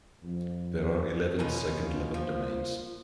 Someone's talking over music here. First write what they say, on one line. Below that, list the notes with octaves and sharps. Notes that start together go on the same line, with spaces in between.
There are eleven second-level domains.
F2
B2 A#3 C#4 D#4 F4
F3